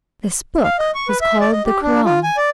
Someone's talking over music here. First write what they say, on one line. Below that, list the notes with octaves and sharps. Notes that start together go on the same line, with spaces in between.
This book was called the Koran.
F5
D#5
C#6
B4
E5
D5
D#5
G4
D4
F4
G#5
D5